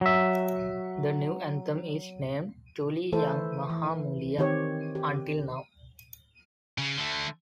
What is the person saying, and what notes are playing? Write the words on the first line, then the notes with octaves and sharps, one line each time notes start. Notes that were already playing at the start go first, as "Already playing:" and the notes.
The new anthem is named "Duli Yang Maha Mulia" until now.
F#3 E5
E3 A3 E4 A4 C5
E3
D#3 C4 G4 C#5
G4
C#3
D3 A3